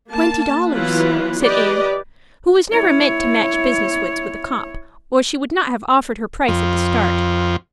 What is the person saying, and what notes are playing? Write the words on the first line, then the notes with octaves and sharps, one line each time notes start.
"Twenty dollars," said Anne, who was never meant to match business wits with a Copp, or she would not have offered her price at the start.
A#3 A5
E3 F#3 B3 E4 F4 B4
G4 B4 D5 D#5
E4 C#5
F2